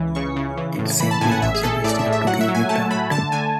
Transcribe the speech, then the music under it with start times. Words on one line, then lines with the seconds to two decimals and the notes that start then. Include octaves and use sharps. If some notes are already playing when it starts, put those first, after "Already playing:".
It simply was a mistake to give it out.
Already playing: C#2 E3
0.15 C#3 C#6
0.36 C#3
0.57 E3
0.79 A2
1.00 E3 B5
1.11 A5
1.21 A2 G#5
1.32 F#5
1.42 A1 E5
1.55 G#4
1.63 A1 A4
1.84 A2 D5
1.99 E5
2.06 A2
2.13 E5
2.27 F#3 F#5
2.41 E5
2.48 F#3
2.54 G#5
2.69 A3 A5
2.91 A3 B5
3.11 D3 A5
3.32 D3 G#5